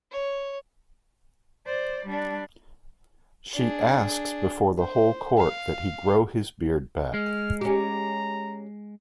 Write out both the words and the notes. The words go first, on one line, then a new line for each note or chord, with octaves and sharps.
She asks before the whole court that he grow his beard back.
C#5
C5 D5
G3 D4
D4 G#4
C5
F5
G#3 F6
C#4 G4 A#5